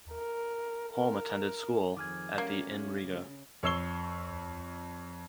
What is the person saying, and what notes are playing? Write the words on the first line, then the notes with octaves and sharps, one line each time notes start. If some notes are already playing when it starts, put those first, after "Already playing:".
Holm attended school at the in Riga.
A#4
A#4
F2 D#3 G#4 D6 F6 G#6
F#3 G3 A3 A#3 C#4
C#3
F2 C#5 C#6 E6 C7 G7